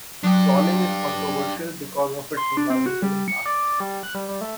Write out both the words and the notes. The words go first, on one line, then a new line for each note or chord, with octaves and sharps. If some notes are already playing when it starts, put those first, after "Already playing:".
Trawling is controversial because of its environmental impacts.
F#3 D4 G4 D#6 D7
C6
D4
C4
F#4
G3
C#7
D5
G3
F#6
G3
G3
A3